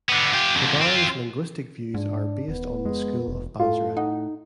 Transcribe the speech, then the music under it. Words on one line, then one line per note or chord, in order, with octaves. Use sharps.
Tabari's linguistic views are based on the school of Basra.
D3 B3
F4 G4
F2 D3
C4 F4
G#2 D4
D#1 B3
F2 G#3
F1
A2 F4 A4
D#4 F#5